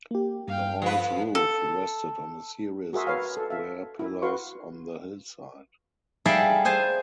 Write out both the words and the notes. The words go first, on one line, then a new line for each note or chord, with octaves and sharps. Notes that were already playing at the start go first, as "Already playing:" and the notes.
The hall's roof rested on a series of square pillars on the hillside.
A#3 G4
G2 F5 G5
F3 B3 A4 B4
A4
F#4 G#4 A#4 E5 C6
B4 C#5 F5 G#5
A4
E5 F5
E4
F#4 B4 F5 C6 C#6
G3 G#4 A4 D5 E5 F5
G#4 C5 G#5 A5